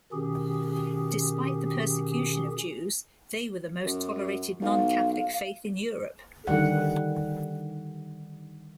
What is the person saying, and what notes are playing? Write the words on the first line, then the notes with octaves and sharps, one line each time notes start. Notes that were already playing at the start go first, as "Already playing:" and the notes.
Despite the persecution of Jews, they were the most tolerated non-Catholic faith in Europe.
B2 D#3 C#4 G4 G#4
F#2
B1 F5
D3 D#3 G3 F#5